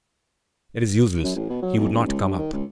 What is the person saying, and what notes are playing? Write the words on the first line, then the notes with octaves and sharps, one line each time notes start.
"It is useless; he would not come up."
F#2
A1
B2
F#3
B1
E1
C#2
G2
D#3
C#2